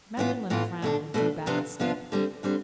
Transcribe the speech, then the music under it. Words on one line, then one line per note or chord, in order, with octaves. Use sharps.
Magdalen frowned, and drew back a step.
A2 E3 B3 F4
A2 E3 B3 F4
B2 A3 D4
B2 A3 D4
C3 F3 B3 D4 F4
C3 F3 B3 D4 F4
D3 G3 C4
D3 G3 C4